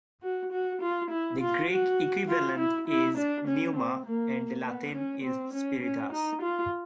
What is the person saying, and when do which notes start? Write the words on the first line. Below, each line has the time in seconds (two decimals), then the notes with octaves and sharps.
The Greek equivalent is "pneuma" and the Latin is "spiritus".
0.23 F#4
0.52 F#4
0.82 F4
1.10 E4
1.41 F4
1.70 F#4
2.29 F4
2.58 E4
2.88 E4
3.17 D4
3.47 C#4
3.76 C4
4.06 A#3
4.65 B3
4.94 C#4
5.24 C4
5.54 C#4
5.82 C#4
6.12 D#4
6.42 F4